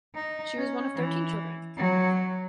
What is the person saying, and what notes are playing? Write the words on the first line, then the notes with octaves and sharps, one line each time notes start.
She was one of thirteen children.
D#4
C#4
E3
F#3